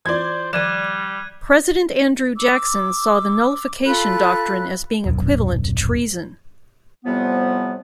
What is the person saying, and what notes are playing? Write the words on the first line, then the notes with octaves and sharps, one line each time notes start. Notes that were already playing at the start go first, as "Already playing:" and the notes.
President Andrew Jackson saw the nullification doctrine as being equivalent to treason.
E3 E4 F4 C5 D5 G#6
D#3 F3 G3 D5 F#6 G#6 D#7 E7
D6 E6
F4 A4 B5 F#6
D#1 B1 F#2
A2 C3 F3 G3 B3